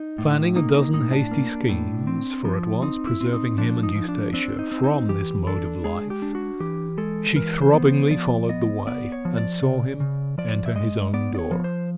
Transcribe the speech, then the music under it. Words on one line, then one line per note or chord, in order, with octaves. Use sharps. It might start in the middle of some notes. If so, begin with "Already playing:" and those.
Planning a dozen hasty schemes for at once preserving him and Eustacia from this mode of life, she throbbingly followed the way, and saw him enter his own door.
Already playing: D#4
A2
A#3 D#4
D#4
A2 D#4
D4
A#3
A2
C4
F3
C4 D#4
E4
C4
D#4
F3 D4
D#4
F3
D4
C4 D4
D#4
C4
D#4
E3 G4
D4 A4
G#3 G#4
G4
D4
F#4
E3 G4
G#3 A4
E3 A#4
C5
B3
C5
F3 D5
B3 D#5
B3 D5
C#5
F3
D5
C#3
C#3
F3 D5
E5
G#3 D#5
B3 D5
D5
C#5
F3
C5